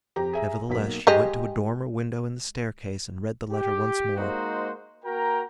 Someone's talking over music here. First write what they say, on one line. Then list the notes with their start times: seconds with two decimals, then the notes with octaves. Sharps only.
Nevertheless she went to a dormer window in the staircase and read the letter once more.
0.16 F2 G4 A#5
0.33 G#4 E5 A#5
0.69 B1 A#3 B6
1.07 G#3 G4 D#5
3.52 G4
4.17 G#3 A#3 D#4 F#4 C5
5.05 A#3 F#4 A#4 G5 A#5